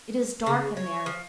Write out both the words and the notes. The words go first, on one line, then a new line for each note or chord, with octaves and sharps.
It is dark in there.
C#3
C#5
F3